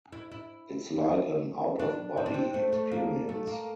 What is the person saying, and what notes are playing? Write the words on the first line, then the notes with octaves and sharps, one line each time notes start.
It's like an out-of-body experience.
E4
E4
D4
C4
D4
C4
A3
A3
A#3
A3
A#3